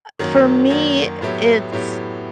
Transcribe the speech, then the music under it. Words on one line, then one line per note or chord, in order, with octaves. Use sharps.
Uh, for me, it's
F#2 D#3 F#3 A#3
F#2 D#3 F#3 A#3
A2 F#3 B3 E4 G4
A2 F#3 B3 E4 G4